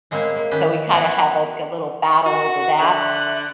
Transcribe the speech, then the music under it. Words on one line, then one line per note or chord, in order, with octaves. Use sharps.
So we kind of have, like, a little battle over that
A2 G#3 A#3 C4 E4 F5
A#3
D#3 C#4 G4 B4
B3 E4 F#4
F#4 F#5
D3 E5 F#6